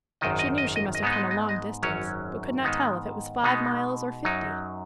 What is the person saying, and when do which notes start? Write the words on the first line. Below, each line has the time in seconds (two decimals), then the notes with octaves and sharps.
She knew she must have come a long distance, but could not tell if it was five miles or fifty.
0.21 G#1 F#2 D#3 D#5
0.39 D#5
0.58 D#5
0.76 D#5
0.95 D#5
1.03 G#2 G#3 B3 D#4
1.13 D#5
1.31 D#5
1.49 D#5
1.83 G#1 F#2 F#3 C#4 C#5
2.64 G#2 D#3 G#3 B3 D#4
3.44 B2 G#3 B3 D#4
4.25 F#2 F#3 D#4